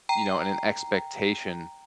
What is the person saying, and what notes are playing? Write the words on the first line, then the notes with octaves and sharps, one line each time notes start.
you know, and an expectation,
G5 A#5